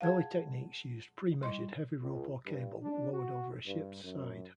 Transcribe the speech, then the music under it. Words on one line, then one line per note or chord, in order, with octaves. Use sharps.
Early techniques used pre-measured heavy rope or cable lowered over a ship's side.
G#4 F5 F#5 A5 G#6
G3 E4 D#5 C6
C#2
G2
D4
F#4
G2
F#2